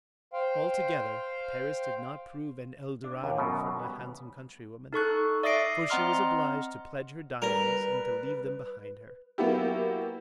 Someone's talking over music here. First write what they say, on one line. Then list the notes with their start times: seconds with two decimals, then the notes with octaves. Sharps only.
Altogether, Paris did not prove an 'el dorado' for my handsome countrywoman, for she was obliged to pledge her diamonds, and to leave them behind her.
0.33 C5 F5 G5
3.04 D4
3.24 D#2
3.38 F#2 B2
3.80 G3 B3
4.93 D#4 A4 C#6 F#6
5.43 D5 E5 D#6 A#6 C7 D7
5.90 C4 D#5 F#5 A#5 C6 F6
7.42 G3 A#4 B4
9.38 F#3 A#3 B3 E4 G4